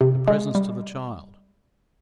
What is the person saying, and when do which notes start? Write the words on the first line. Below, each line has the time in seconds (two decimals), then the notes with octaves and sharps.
The presents to the child!
0.01 C3
0.28 G#3
0.55 G3